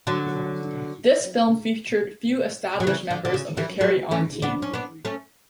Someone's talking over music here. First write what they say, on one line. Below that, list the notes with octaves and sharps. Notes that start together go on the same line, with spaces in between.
This film featured few established members of the "Carry On" team.
D3 F#3
F#3
C#3 E3
D3
D3
C#3
E3 G3
F#3 A3
A3 C#4
B3 D4
C#4
B3 D4
A3 C#4